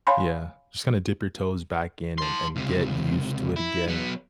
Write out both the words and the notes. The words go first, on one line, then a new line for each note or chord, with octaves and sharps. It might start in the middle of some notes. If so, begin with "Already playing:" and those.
Yeah. Just kinda dip your toes back in and-and get used to it again.
C#5 F5 G#5 B5 C6
A5 C6
C#2 C3
E4
F#3 B3